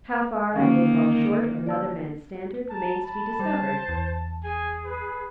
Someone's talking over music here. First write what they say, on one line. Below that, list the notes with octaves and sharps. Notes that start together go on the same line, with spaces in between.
How far I may fall short of another man's standard, remains to be discovered.
D3 D#3 A#3 C#4 F5
D5 A5 E6
A5 A#5
A5 B5
G3 C5
E2
G#4 G#5
B4